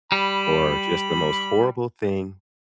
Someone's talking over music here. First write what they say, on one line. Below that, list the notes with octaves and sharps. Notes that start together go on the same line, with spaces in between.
or just the most horrible thing
G3 B5